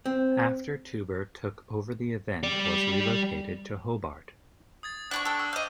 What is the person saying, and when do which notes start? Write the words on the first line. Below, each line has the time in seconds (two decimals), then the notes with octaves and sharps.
After Touber took over the event was relocated to Hobart.
0.06 C4
2.43 G3 D5
4.83 D#6 G#6 A6
5.11 D4 F#5 G5 C#6 F#6 A6
5.25 A4 G5
5.39 C#6 E6
5.53 D#5 F5 D6 G6